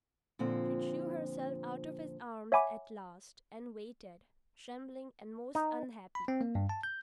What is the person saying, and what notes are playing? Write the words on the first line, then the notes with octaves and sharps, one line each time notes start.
She drew herself out of his arms at last and waited, trembling and most unhappy.
A#2 D3 F3 C4
C#5 E5 F#5 G#5 B5 D6
D#4
B5
C4
A#3
G2
A5
G6